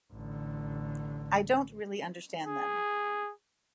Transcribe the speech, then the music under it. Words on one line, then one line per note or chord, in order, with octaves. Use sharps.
I don't really understand them.
A1 D3
G#4